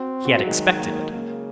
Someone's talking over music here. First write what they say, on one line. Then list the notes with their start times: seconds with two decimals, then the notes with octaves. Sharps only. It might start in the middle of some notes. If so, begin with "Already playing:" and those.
He had expected it.
Already playing: C4 F#4
0.25 F#4
0.38 F#3
0.47 D#3 G#3
0.80 A#3
1.14 C#3 A#3